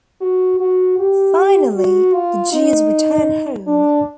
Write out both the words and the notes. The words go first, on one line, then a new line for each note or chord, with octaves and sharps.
Finally, the Jews return home.
F#4
F#4
G4
F#4
F4
D#4
D4